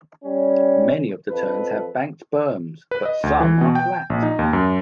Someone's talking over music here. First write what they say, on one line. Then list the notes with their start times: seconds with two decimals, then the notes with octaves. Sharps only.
Many of the turns have banked berms, but some are flat.
0.25 G3 C#4
1.30 F2 A4 B4
2.91 B4
3.05 D#5
3.23 D2
3.40 E3
3.61 B2
3.75 G5
4.10 A#1
4.23 D#4
4.39 D#2
4.53 F#2